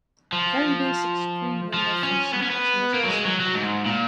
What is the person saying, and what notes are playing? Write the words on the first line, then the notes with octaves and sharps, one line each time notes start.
Very basic screen window functionality was also provided.
F3
F3
C#4
B3
C#4
B3
A#3
F#3
G#3
F#3
F#3
G#2
A#2